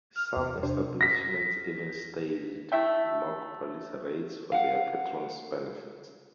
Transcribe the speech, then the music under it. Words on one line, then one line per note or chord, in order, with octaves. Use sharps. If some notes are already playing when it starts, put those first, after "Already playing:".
Some establishments even staged mock police raids for their patrons' benefit.
F6
E2
C3 D4 C5
A#6 B6
A3 E4 E5 G5
F5 F#5